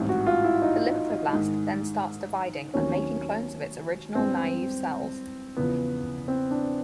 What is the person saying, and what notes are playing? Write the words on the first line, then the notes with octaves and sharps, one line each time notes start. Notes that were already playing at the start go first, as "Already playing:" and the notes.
The lymphoblast then starts dividing and making clones of its original naive cells.
Already playing: A1 G#2 E3 G3 C4
F#4
F4
E4
D#4
G#2 D#3 G#3
D#2 D#3 F#3 A3 C4 C#4
G2 E3 G#3 B3 C4 D4
E2 C#3 F3 B3
C4
D4